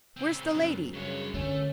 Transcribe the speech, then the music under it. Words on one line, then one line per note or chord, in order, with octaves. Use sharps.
Where's the lady?
C#3 C4
F#2
G2 C#3 C#5
D3 A3 C#4